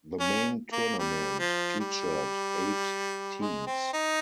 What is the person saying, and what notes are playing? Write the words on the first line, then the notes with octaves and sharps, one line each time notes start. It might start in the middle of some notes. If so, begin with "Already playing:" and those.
The main tournament featured eight teams.
C#4
A#3
G3
F3
G3
G#3
C4
D#4